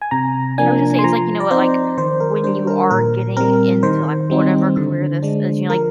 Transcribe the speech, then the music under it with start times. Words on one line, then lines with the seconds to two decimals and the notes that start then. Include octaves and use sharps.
I would just say it's like, you know what? Like, when you are getting into, like, whatever career this is, you know, like
0.02 G#5
0.11 C3 A#5
0.58 F3 A#3 D4 G#5
0.99 C6
1.04 F3 A#5
1.40 D5
1.51 C4 D#4 C5
1.97 D#3 C5
2.20 A#4
2.44 G3 D4 C5
2.67 A#4
2.91 A#2 A#4
3.37 G3 C4 A#4
3.83 D#3 C5
4.30 G3 C4 D#4
4.77 D3
5.23 G#3 D4
5.70 F3 A#4